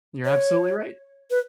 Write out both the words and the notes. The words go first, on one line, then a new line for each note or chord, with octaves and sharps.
You're absolutely right,
C#5
B4